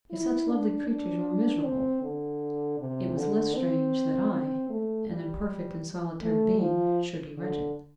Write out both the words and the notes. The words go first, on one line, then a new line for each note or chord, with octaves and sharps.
If such lovely creatures were miserable, it was less strange that I, an imperfect and solitary being, should be wretched.
E4
D4
D4
C4
D3
C3
D3
C4
C4
A3
G3
A3
F3
D3